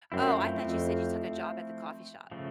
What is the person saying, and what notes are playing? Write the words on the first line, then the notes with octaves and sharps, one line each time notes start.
Oh, I thought you said you took a job at the coffee shop.
F#2 F3 A3 C4 E4
F2
C#3 F3 A3